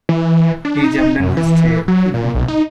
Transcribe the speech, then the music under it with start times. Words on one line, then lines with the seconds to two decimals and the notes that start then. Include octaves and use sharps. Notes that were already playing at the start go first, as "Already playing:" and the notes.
He jumped in his chair.
0.09 E3
0.65 D4
0.84 D#4
1.20 F#2
1.37 E3
1.88 F#3
2.14 A#2
2.35 B1
2.48 D#4